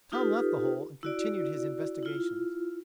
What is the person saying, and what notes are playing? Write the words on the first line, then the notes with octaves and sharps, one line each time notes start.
Tom left the hole, and continued his investigations.
D#4 F4 G4 A4 B4
E4 F#4 D5
E4 F4